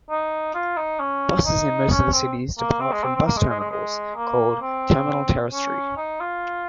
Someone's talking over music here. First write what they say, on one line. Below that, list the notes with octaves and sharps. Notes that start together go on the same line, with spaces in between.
Buses in most of the cities depart from bus terminals called "terminal terrestre".
D#4
F4
D#4
C#4
D#4
C#4
C4
A#3
C4
G#3
C4
C4
A#3
G#3
G#3
G#3
G#3
A#3
C4
C#4
D#4
F4